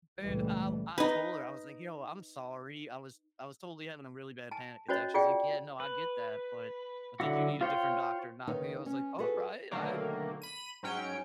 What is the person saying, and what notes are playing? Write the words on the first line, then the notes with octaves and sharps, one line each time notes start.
And I'll I told her, I was like, "Yo, I'm sorry, I was I was totally having a really bad panic attack," she's like, "Yeah, no, I get that, but I think you need a different doctor, not me." I was like, "Alright, I
G#1 C#2 A#2 E3 G3 A3
D#4 B4
G#5 A5
C#4 F#4 C5 C#5 D#5
F4 G#4 D5 F#5 G5
B4
D3 F#3 E4 F#4
F4 C5 C#5 G5
D#2 D#3 D#4 B4 C#5 F5
C#4
F#4 G#4 A4 B4
B2 D3 D#3 F#3 A3 A#3
B5 D#7
G#2 F#3 C#4 G5 C#7